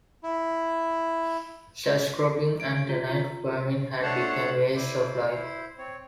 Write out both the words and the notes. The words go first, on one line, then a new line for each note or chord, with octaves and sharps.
Sharecropping and tenant farming had become ways of life.
E4
D7
F4
F4
A3 D4 C5 C#5 F#5 A5
E4 C5 D5
E4 C5
C4 C#5